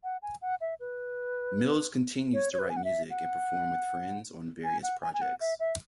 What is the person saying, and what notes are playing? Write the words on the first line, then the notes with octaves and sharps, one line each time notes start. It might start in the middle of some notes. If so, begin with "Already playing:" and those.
Mills continues to write music and perform with friends on various projects.
F#5
G#5
F#5
E5
B4
C#5
C#5
B4
G#5
F#5
E5
F#5
G#5
F#5
G#5
G#5
F#5
E5
E5